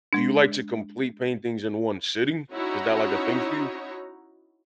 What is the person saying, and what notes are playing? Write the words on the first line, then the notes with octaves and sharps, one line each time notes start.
do you like to complete paintings in one sitting? Is that, like, a thing for you?
G#3 D4
C#4 D#4 E4 F#4 C#5 A#5